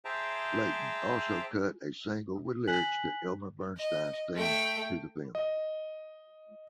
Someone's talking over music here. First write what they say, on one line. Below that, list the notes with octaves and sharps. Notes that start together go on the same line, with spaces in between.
Leyton also cut a single with lyrics to Elmer Bernstein's theme to the film.
G#4 C5 E5 G5 A5 A#5
G#5 F#6 B6 F#7
D#5
A3 G5
D#5